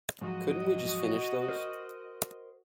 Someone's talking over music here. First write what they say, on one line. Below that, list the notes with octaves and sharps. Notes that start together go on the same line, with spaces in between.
Couldn't we just finish those?
G#2 F3 F#3 F#4 D#5
A#4 C5